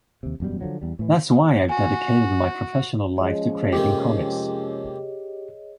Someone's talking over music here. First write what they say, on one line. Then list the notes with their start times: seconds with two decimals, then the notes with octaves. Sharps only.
That's why I've dedicated my professional life to creating comics.
0.23 D#2 C3
0.40 E1 F#2 B2 G3
0.61 D3 F3 F#3
0.81 E2 G3
0.99 A2 E3
1.69 F#4 G#5
3.16 F3 G#3 C#4 G#4 C#5 D#5
3.73 F2 C3 A#3 G4